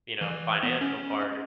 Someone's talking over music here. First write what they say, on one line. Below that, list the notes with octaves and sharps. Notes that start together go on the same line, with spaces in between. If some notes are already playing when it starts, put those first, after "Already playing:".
you know, financial part
E3
B3
C#4